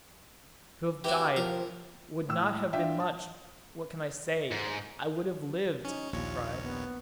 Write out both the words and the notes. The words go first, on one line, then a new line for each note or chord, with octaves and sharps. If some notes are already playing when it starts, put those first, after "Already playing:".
'To have died, would not have been much--what can I say?---I would have lived!' she cried.
E3 C4 F#4 G4
F3 A#4
A2 E6
D4 F4 E5 G5
A5
G#2
C#4 D#4
A#1 D#2 F4 C#5
B3